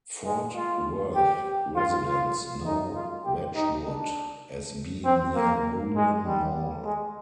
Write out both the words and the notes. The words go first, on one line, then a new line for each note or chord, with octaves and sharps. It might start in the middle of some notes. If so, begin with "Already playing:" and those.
Fort Worth residents know Wedgwood as "being near Hulen Mall".
G#3
F4
G4
F4
F4
D#4
F4
G4
D#4
D4
C4
A#3
G#3
G3
G#3